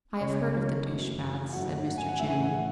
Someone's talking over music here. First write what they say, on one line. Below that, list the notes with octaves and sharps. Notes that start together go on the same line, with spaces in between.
"I have heard of the douche baths," said Mr. Channing.
C#2 C#3 G#3 C#5
F#2 E3 A3
G#2 F#3 A3 F#5
F#5
G#5
F#5
A2 E3 A3 E5
G#5
F#5
F#5